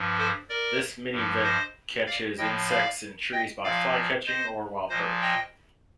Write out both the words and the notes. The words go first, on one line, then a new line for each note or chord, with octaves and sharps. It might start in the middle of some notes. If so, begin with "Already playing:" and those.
This minivet catches insects in trees by flycatching or while perched.
Already playing: G2 F3
A4 C5
A#4 D5
G2 F3
C5 D#5
D5 F5
A2 F3 D#5 G5
D5 F5
D#5 G5
A#2 F3 D5 F5
C5 D#5
A#2 F3 C5 D#5
D#5 G5